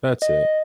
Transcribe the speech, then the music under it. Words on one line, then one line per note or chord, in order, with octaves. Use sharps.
That's it.
D#5